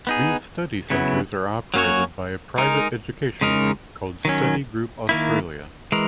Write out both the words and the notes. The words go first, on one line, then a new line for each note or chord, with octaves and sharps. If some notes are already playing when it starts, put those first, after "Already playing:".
These study centres are operated by a private education group called Study Group Australia.
B3 D#4 G#4
C#3 F#3 B3 E4
F#3 A#3 C#4 F#4 C#5
G#3 D#4 A#4
C#3 G#3 D#4 A#4
D#3 F#3 C#4
D#3 A#3 E4
E3 G#3 A#4